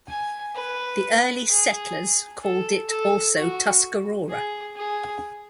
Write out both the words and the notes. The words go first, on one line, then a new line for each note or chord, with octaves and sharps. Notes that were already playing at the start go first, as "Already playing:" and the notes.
The early settlers called it also "Tuscarora".
G#5
B4
G#4
A4
A4
F#4
G#4
G#4